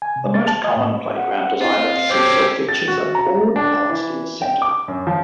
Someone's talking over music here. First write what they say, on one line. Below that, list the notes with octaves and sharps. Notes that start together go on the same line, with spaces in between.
The most common playground design of seesaw features a board balanced in the center.
G#5
C3
A6
A5
D#5
A2
F#5
C4 E4 F4 D#5
C4 C#4 G4 A4 C5 C#5 D6 G6
A6
F#4
A#5
D4
E3
G5
D6
F#2
F3